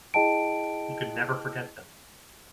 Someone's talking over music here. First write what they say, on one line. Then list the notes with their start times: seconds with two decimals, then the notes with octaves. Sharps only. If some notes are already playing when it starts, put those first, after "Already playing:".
He could never forget them.
0.14 E4 G#4 D#5 G5 A5 D7